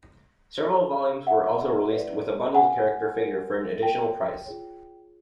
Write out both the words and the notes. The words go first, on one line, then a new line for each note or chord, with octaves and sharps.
Several volumes were also released with a bundled character figure for an additional price.
F#4 A4 D5
E5 F#5
F#4 B4 D5
F#5 G#5
F#4 A#4 C#5
G5 A5
F4 G#4 C#5